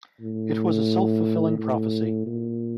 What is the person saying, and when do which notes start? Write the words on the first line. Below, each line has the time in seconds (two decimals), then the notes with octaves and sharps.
It was a self-fulfilling prophecy.
0.21 A2
1.58 A2
2.26 A#2